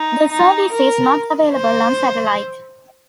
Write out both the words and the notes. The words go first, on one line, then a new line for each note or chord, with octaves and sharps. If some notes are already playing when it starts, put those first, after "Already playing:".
The service is not available on satellite.
Already playing: D#4
D#4
A#4
C5